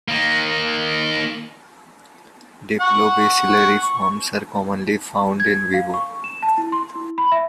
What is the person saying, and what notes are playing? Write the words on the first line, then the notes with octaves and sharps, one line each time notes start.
Diplobacillary forms are commonly found "in vivo".
D#3 A#3
F#5 C#6
G#6
F5
C#6
E7
A5
E4
C6
E4
B5
E5